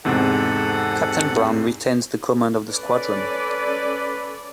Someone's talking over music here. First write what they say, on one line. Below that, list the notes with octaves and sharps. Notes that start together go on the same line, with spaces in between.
Captain Brown retained the command of the squadron.
E2 G#2 C3 A4 F#5
C#4 A4 B4 D5